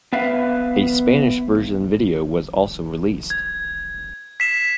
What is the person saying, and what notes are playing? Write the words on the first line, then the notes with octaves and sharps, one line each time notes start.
A Spanish version video was also released.
B3 B4 E5 F5
G#6
B6 C7 E7